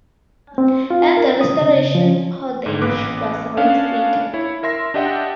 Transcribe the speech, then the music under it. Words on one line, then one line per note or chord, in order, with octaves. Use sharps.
At the Restoration Pordage was reinstated.
C4
F4
A#4
D#6
C#3
F3
G#2 D3
A1 A#3 B3 B4 D6 F#6
B3 C#4 D4 F5
E4 C#5
A#4 E5 C6 A#6
D4 G4 D#5 E5 F#5 G5